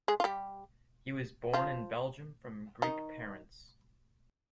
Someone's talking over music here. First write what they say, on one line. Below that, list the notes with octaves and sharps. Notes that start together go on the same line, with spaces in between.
He was born in Belgium from Greek parents.
G#3 G#4
F4
G3 G4
F3 F4
D#3 D#4